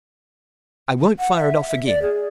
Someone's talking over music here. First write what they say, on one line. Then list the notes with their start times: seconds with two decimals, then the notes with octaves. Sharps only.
"I won't fire it off again."
1.19 F#5
1.36 E5
1.68 E5
1.87 D5
2.02 G#4